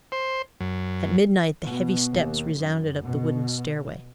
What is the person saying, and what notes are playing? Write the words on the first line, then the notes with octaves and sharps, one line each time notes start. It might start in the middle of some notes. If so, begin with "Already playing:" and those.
At midnight the heavy steps resounded up the wooden stairway.
C5
F#2
B2
D#2
F#2
B2